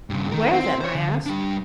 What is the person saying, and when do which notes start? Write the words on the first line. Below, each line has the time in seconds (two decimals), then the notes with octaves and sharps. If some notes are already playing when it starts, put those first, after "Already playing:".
"Where then?" I asked.
0.10 G2 C#3
0.32 D#3 A#4
0.52 C4
0.81 C5 C#5
0.95 D3
1.26 G3 D4